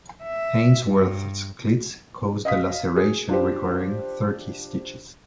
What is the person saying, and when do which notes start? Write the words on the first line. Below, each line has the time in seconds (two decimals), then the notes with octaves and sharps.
Haynesworth's cleats caused a laceration requiring thirty stitches.
0.23 E5
0.87 G2
2.45 D#5 F5 D#6 B6
2.96 G#4
3.29 D4 F4 G4 C5